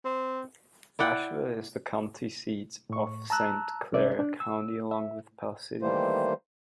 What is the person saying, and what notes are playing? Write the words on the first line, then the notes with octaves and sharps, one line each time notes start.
Ashville is the county seat of Saint Clair County along with Pell City.
C4
E4 D5 F#5 G5
A2 C#6
A5 A#5 E6 F#6
C2 C#4 D5 E5
D4
E6
E5
D#3 E3 G3 A3 A#3 C5